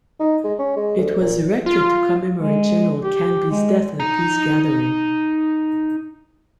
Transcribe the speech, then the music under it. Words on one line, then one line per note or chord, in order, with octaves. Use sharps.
It was erected to commemorate General Canby's death at a peace gathering.
D#4
G#3
C#4
G#3
D2
A#2
F4
G#3
G4
G#3
D#4 A#5